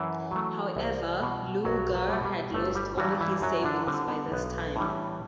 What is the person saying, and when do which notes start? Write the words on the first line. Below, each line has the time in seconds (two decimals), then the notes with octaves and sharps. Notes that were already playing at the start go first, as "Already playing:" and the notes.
However Luger had lost all his savings by this time.
Already playing: F#2 E3 E4
0.31 F#3 A3
0.77 C2
1.20 B2 G3
1.65 B1 F#3 F#4
1.94 F#3 F#4
2.09 B2 G3
2.24 G3 G4
2.53 G1 A3 A4
2.75 G3 G4
2.97 G2 E3 F#3 G3 F#4
3.21 E3 E4
3.42 F#2 F#3 F#4
3.64 D3 D4
3.87 D3 G3 C4
4.09 B3
4.32 B1 B3
4.76 A2 E3 G3